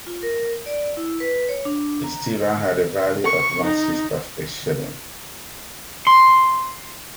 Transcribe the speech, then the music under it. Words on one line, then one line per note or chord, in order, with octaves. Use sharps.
A stiver had a value of one sixth of a shilling.
F4
A#4
D5
E4
B4
C#5
D4
A#5
C#6
D#4
C6